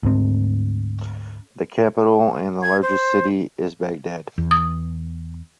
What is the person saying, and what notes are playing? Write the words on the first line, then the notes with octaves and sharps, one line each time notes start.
The capital, and largest city, is Baghdad.
D2 G#2 C4
G#6
C5
E2
D#6